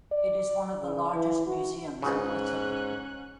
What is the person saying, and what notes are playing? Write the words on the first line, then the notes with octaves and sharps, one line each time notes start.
It is one of the largest museums in Italy.
D5
C#3
E3
F#4
C#2 G#2 C#3 C#4 F#6